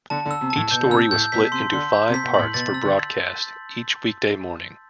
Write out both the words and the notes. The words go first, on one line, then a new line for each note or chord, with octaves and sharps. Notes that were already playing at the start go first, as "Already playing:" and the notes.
Each story was split into five parts for broadcast each weekday morning.
D3 A5
D3
E6
C3
A5
A2
B2 G6
D3
C3 E6
A2 G6
B2 B6
C3 C6
D3 C6
G6
C3
B6
B2
A2 F#7
B2 A6
C3
E6
D3